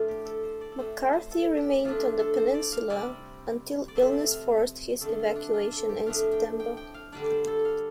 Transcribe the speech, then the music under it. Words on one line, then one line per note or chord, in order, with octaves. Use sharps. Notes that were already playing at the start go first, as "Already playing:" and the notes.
McCarthy remained on the peninsula until illness forced his evacuation in September.
Already playing: A2 F3 A3 D4 F4
G4
A4
C5
D5
A4
A2 A3 C4 C5
C5
A4
G4
A2 F3 A3 D4 F4
A4
C5
D5
F5
C3 G3 C4 D5
D5
C3 F3 A3 C4 C5
D5
F5
F2 D3 A3 A4
F4
D4
F4
A4
G4
A2 F3 A3 D4 F5
G5
G5
G5
F5
D3 G3 D4 D5
D5
C5
A4
F5